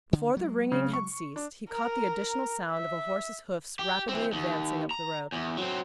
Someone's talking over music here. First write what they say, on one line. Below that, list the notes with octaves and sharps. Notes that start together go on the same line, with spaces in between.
Before the ringing had ceased, he caught the additional sound of a horse's hoofs rapidly advancing up the road.
D3
F#3 G#3
C#3
C#6
D4
A#4 A#5
E5
G4
E3 C4
D#2
A#5
E2
F#3 C4